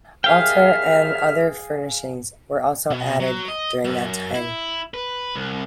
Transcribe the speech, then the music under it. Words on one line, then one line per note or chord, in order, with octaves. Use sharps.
Altar and other furnishings were also added during that time.
D#2 G#4 E5 F5 G5 F6
B2
F#3
D#5
F#2
E4
B4
C2